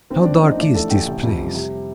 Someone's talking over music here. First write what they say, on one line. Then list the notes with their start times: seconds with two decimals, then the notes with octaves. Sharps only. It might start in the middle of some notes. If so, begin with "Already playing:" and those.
How dark is this place!
0.10 D#2 C4 C5
0.23 F1 D4 D5
0.43 F1 D#4 D#5
0.58 A2 D4 D5
0.75 A1 A4 A5
0.90 A1 G4 G5
1.07 C3
1.24 F2
1.39 G3
1.55 C3